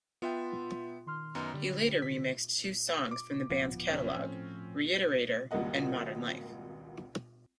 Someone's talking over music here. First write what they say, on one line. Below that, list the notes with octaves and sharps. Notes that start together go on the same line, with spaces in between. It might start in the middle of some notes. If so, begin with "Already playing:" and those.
He later remixed two songs from the band's catalogue - "Reiterator" and "Modern Life".
B3 F4 E5 G5 C6 A6
D#3 C6 F6
F#2 B3 D#4
D3 G3
B6
D6
D1 F3 B3
C3 C#4
A2 F3 C4 C#4
G#1 C#2 G3 A#3 D#5 F#5